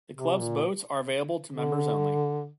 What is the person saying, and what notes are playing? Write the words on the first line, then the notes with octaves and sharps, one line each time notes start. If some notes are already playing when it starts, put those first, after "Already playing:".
The club's boats are available to members only.
C3
A#2
D3